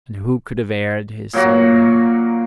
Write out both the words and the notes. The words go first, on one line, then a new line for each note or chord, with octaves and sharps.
And who could have aired his soul there!
A#2 F#3 A#3 F#4